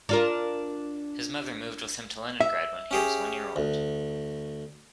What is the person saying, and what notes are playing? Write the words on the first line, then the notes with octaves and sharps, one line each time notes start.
His mother moved with him to Leningrad when he was one year old.
D4 F4 A#4
E5
C#4 G4 G#4
D2